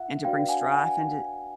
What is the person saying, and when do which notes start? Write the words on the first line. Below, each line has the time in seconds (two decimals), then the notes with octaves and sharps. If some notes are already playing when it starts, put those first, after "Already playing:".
and to bring strife into
Already playing: F4 E5 F#5
0.25 D4 F#4 B4 D5 F5 G5
0.48 F#5 G#5
0.72 F#5 G#5